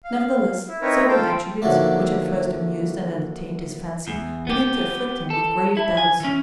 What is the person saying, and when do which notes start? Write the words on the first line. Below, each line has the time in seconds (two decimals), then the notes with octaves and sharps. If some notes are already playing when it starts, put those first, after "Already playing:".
Nevertheless, certain attributes which at first amused and entertained his fancy began to afflict him with grave doubts.
0.04 F5
0.68 E4
0.82 C4 D#4 E4 A#4 B4 C#5
1.08 F4 A4 C5 F5 G5
1.62 D#2 D3 F3 F#3 A3
4.08 E2
4.47 B3 G4
5.30 A4
5.77 E4
5.97 G#5
6.20 E3 C#4